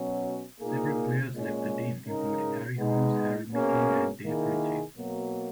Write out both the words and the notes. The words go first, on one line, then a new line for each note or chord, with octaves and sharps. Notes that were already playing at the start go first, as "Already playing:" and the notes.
Several players left the team, including Harry Holmes, Harry Meeking and Dave Ritchie.
Already playing: B2 F#3 C#4
A#2 A#3 D#4 G#4
A#2 G#3 C#4
C#3 G#3 D#4 A#4
G#3 B3 D#4
B2 A#3 C#4 G#4
D#3 A#3 E4 G#4
B2 F#3 A#3